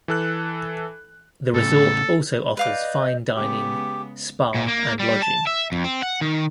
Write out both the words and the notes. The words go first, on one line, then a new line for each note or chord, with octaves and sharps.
The resort also offers fine dining, spa, and lodging.
E3 A4 F#6
A2 C#3 A4
B4 D5 D#5 F5 D6 G6
C#3 G#3 B3 G4
A#2
A#3
G3
A5
E5
F2
C4
F#5
D#3